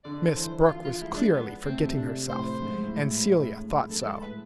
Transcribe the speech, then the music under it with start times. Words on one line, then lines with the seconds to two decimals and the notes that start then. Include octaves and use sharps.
Miss Brooke was clearly forgetting herself, and Celia thought so.
0.04 D3 D5
0.36 E3 C5
0.68 F3 F4
0.85 F4
1.01 G#3 E4
1.17 D4
1.34 G#3 B3
1.65 A3 C4
1.82 C3
1.97 C3 D4
2.29 A2 C5
2.62 G#2
2.83 A2
3.04 A2
3.26 A2
3.58 A2
3.89 G#2 A4
4.07 A4
4.22 A2 B4